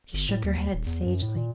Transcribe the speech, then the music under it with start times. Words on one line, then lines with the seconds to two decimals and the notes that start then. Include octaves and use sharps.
She shook her head sagely.
0.14 G1
0.29 A2
0.44 D#2
0.58 D#2
0.74 D#1
0.86 E2
1.05 F#2
1.22 A2
1.36 A#2